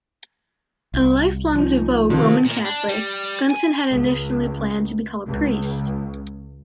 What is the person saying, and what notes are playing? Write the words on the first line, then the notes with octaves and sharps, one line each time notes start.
A lifelong devout Roman Catholic, Gunton had initially planned to become a priest.
C2
F3 D#4
F2 C3 D#3
A#2
D4
G3
G#5
C#2
C#2